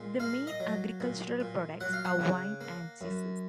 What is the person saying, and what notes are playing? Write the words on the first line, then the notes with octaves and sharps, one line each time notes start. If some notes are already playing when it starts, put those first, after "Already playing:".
The main agricultural products are wine and cheeses.
Already playing: A#2 G#3
A#3 F5
D#5
F#3
A#2
A#2
F#3 F#5
F5
F#5
C#3
A#3
F#2